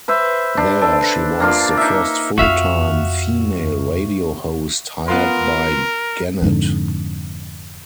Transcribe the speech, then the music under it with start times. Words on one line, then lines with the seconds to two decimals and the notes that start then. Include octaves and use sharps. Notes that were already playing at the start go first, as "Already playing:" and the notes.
There she was the first full-time female radio host hired by Gannett.
0.08 B4 C5 E5
0.57 D4
0.82 A4
1.40 A#3 D4 F4
1.77 D#4 E5
2.38 F2 F4 F#4 E5 F5
5.08 B3 F4 A#4 C6
6.42 F2 G#2 D3